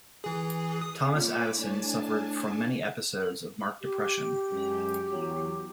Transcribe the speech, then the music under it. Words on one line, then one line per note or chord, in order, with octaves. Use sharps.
Thomas Addison suffered from many episodes of marked depression.
E3 G#4
D#6
A#2 C#5 B5 D6
A2 D4 G#5 A5
G4
F#2 G#3
E2 F#3